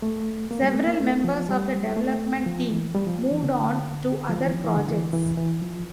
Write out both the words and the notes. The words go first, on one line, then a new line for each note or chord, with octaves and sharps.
Several members of the development team moved on to other projects.
A3
A#3
G3
A3
A#3
A3
F3
G3
A3
F3
E3
G3
F3
E3
D3
F3
E3
F3
E3
D3
E3
E3
E3
F3